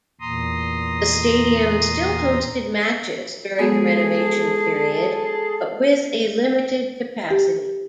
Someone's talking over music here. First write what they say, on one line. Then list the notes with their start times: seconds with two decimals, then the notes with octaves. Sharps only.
The stadium still hosted matches during the renovation period, but with a limited capacity.
0.21 E2 A#2 A#5 C6 D#6
3.59 G#3 B3 F#4 G#4 A4
7.31 G4